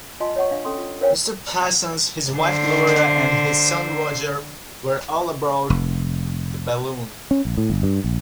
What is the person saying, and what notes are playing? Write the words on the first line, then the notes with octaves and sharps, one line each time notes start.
Mr. Parsons, his wife Gloria, and his son Roger were all aboard the balloon.
F4 D#5 G#5 A5 C6
C#5 D#5 F#5 C#6
D4 F5
C#4 A4 C6
F4
A#4 C5 C#5 F5 G5 G#5
D3 C5
F1
C#4
A#1
A2
G1
G2
A#1